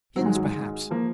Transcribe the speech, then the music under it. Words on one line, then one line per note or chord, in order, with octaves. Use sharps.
Skins perhaps.
G#2 D#3 F#3
G#3
F#3
G#3
F3 A#3